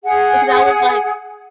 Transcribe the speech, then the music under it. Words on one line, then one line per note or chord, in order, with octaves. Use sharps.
because I was like
G#4 F#5